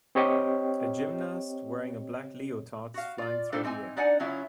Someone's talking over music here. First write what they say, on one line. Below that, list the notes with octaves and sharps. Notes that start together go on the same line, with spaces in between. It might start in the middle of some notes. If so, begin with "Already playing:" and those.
A gymnast wearing a black leotard is flying through the air.
C4 G4 C#5 D#5 G5
F#4 F5
F4 D5
G3 D4 D#4 F4 A4 C5
E3 C4 D#4 G#5
D4 D#4 D5 F#5 G#5
C#3 F#3 C#4 E4 F4